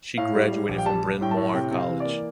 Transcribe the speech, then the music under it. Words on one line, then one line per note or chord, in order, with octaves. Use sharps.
She graduated from Bryn Mawr College.
A2 F5
G3
G3
A#1
G5
G3 A5
G3
A2 G5
A5
A2
C3 G5
C3
F5
E3
A#3 D5